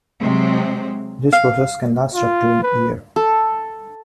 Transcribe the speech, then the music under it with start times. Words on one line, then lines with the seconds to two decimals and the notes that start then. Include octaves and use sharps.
This process can last up to a year.
0.20 C3 F#3 G#3 C4
1.33 F5
2.14 F4
2.62 B4
3.16 A4